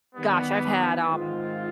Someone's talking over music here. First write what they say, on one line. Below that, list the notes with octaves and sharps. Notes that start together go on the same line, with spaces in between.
gosh, I've had, um
D#3 G3 B3
G#2 D#3 G#3 C4 F4